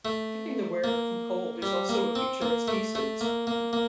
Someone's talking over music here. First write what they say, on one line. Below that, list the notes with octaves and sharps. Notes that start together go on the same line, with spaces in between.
Protecting the wearer from cold is also a feature of ski suits.
A3
A#3
G3
A#3
C4
A#3
A3
A3
A#3
A#3
A#3